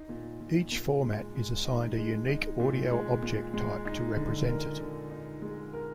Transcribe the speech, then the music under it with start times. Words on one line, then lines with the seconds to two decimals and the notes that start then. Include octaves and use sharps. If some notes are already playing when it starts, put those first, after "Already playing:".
Each format is assigned a unique Audio Object Type to represent it.
Already playing: D#4
0.09 A#2
0.40 A#2
0.72 A#2
1.03 G#3
1.35 G#3
1.65 D#4
1.98 G#3
2.28 D#4
2.60 A#2
2.91 G#3
3.23 A#2
3.54 G#3
3.85 D#4
4.16 D3
4.47 A#4
4.79 D3
5.11 D#4
5.42 G#3
5.73 A#4